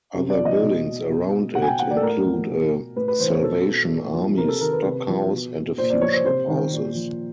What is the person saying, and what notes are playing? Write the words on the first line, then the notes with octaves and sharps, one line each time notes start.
Other buildings around it include a Salvation Army stockhouse and a few shophouses.
C3
D5
F3
D#5
B2
B2
B2 F#5
G#5
G5
F#5
D5
A4
A2 A#4
F3
B2
A2 B4
B4
E3 C5
C#5
B2 A4
A#2
F3
C3 A#4
A4
D#3 A#4
B4
C3
F3
B2
A#2 C5
D5
F3 C#5
C5
C3 C5
D#3
A#2
F3